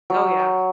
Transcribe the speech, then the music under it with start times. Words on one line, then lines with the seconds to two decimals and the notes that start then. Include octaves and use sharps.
Oh, yeah.
0.10 F#3